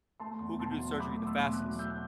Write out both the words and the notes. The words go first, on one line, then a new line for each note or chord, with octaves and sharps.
who could do surgery the fastest?
A3 A5 C6
E2
B2 A5 C6
F#3
A3 B5 D6
E2
C6 E6
B2
D6 F#6
F#3
A3 E6 G6